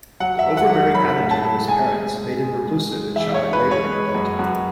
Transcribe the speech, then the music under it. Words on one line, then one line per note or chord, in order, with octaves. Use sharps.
The overbearing attitude of his parents made him reclusive and shy later in adulthood.
F#3 F#5
E5
F#3
F#5
F#3
F#3 B5
A2
A5
A2
G#3 G#5
G#3
G#3
G#3
G#3
G#3
E3 E5
C#5
G#3
B4
G#3
C#5
G#3
F#2
F#2